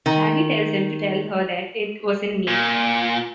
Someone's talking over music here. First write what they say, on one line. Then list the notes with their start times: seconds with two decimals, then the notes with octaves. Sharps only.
Shaggy tells him to tell her that It wasn't me.
0.06 D#3
2.48 A#2